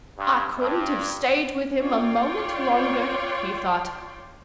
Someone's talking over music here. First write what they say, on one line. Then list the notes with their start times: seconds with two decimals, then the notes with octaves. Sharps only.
"I couldn't have stayed with him a moment longer," he thought.
0.18 G2
0.58 G2
1.79 F4 C#5 D5 G5 C6